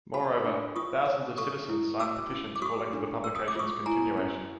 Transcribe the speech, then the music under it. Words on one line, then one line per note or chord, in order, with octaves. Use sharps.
Moreover, thousands of citizens signed petitions calling for the publication's continuation.
F#4 A5 B5
D4
F4 C#6 D#6
C#5
A4 C#6 D#6
E4
F#4 D6 E6
C#4
D6
F#4 C#6 D#6
D4
A#4 E6
D#6
D6
F4 C#6 D#6
E4 G#5 A#5
C#4